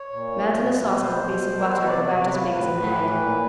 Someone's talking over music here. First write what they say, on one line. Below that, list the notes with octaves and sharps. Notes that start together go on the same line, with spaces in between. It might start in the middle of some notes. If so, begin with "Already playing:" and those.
Melt in a saucepan a piece of butter about as big as an egg.
Already playing: C#5
A#2
F3
B2
B2 B4
C#5
B2 C5
B2
B2
A#4
B2 B4
C5
C#5
C3 D5
C3 C#5
F3 B4
A2
A2
E3
A#2